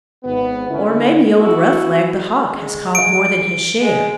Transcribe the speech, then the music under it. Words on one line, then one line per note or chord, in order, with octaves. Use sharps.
Or maybe old Rough-leg, the Hawk, has caught more than his share.
G#1 B3
D3 C#4 E4
E4 F#4
G#3
D7
G#3